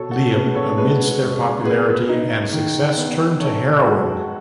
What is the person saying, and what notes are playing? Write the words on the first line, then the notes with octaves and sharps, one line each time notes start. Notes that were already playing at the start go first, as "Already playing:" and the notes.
Liam, amidst their popularity and success, turned to heroin.
Already playing: B2 A4 C#5
F#4 A4
C#4 G#4 B4
A4 C#5
G#3 G#4 B4
G#3
B3 G#4 B4
D#4
D#3
B3
D#4 A4 C#5
G#3 F#4 A4